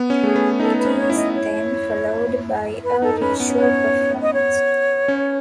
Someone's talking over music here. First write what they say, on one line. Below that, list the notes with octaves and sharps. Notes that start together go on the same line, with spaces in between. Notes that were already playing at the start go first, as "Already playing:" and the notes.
It is then followed by a ritual performance.
Already playing: B3
C#4
A3 G#4
B3
D#4 A4
B4
C#4
C#5
E4
D#5
C#5
B4
D#4 A4
C#4 B4
B3
C#4
B3 C#5
D#5
C#5
C#4